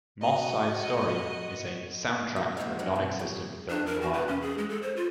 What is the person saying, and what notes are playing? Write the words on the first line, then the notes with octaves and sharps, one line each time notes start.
"Moss Side Story" is a "soundtrack for a non-existent film noir".
F#4 D#5
F#4
G3 G#3 A#3 F#4 C5 E5
F#3 G3 C#4 D4 F#4 G4
B2 C4
C#4 G4 G#4
D4
A#4
F#4
B4
C#4
G#4
G#3
A4
C5
F4